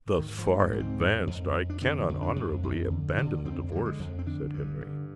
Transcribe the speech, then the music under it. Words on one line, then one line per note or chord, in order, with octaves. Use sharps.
"Thus far advanced, I cannot honourably abandon the divorce," said Henry.
G#2 D#3
F3
G#2
G3
G#2
C4
F2
F2
F2
D4
D3 C4
F2
D4
F2
F2
D3
D3
F2 C4
D3 G3
G#3
F2
C4
D3 D4
G2
D3